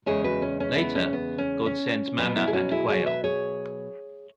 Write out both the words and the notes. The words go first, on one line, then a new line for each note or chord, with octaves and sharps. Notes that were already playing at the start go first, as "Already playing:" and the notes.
Later God sends manna and quail.
E2 C#3 G#3 G#4 C#5
F#4 B4
C#4
C#4
B3 E4
C#4
B3
C#4
C#4
B2 F#3 B3
B3 E4
G#4
C#4 F#4
E4 G#4
G#4 C#5
B4 E5
G#4 C#5